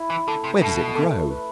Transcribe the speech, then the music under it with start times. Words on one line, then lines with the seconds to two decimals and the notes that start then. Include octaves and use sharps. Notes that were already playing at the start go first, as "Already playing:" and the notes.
Where does it grow?
Already playing: E4
0.10 E3
0.27 D3 A3
0.44 C3
0.62 B2 A3
0.95 A3
1.30 B4